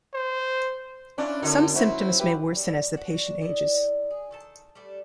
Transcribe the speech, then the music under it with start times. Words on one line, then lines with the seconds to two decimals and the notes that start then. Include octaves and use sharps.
Some symptoms may worsen as the patient ages.
0.14 C5
1.18 C#4 D4 E4 F4 D5
1.42 F#2 D3 D#4
1.76 F#3 E4 C5
2.19 E4 G4 B4
2.55 G3 A3 A4
2.93 D4 F#4
3.41 E4 D5 D#5
4.10 G#4
4.31 D#3 A4 A5
4.75 G3 A3 D4 A4